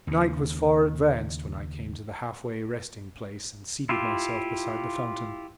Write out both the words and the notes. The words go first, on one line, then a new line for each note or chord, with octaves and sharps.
Night was far advanced when I came to the halfway resting-place and seated myself beside the fountain.
D#2 C#3
E4 F4 G4